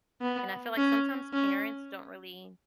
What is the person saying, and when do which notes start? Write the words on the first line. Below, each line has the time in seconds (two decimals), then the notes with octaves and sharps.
And I feel like sometimes parents don't really
0.21 B3
0.77 C#4
1.33 C#4